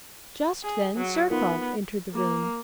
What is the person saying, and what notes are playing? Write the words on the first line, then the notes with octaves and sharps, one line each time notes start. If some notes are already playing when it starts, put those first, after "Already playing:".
Just then Zherkov entered the room.
G#4
F#3
B3 D#4 F4 A#4
A#3